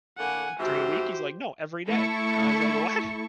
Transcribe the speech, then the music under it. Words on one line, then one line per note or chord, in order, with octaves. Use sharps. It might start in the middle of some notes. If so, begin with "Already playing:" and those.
through the week?" He's like, "No, every day." And I was like, "What?"
A2 D3 A#3 F#5 G#5
F2 G#2 E3 F#4 G4 C5
A3 E4 A4 A5 C#6